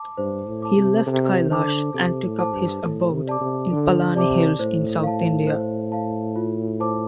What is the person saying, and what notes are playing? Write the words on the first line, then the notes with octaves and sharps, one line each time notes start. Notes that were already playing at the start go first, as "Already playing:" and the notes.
He left Kailash and took up his abode in Palani hills in South India.
Already playing: A5 D6
G2 C5
A2
A5 D6
C3
C3 A4
D3 C5 A5 D6
C3 A4
A2
C5 A5 D6
G2
A2 A4
C3
D5 A5 D6
C3
D3 A4
C3 D5 A5 D6
A2 C5
F5 A5
C5
F5 A5
F4
C5 A5 D6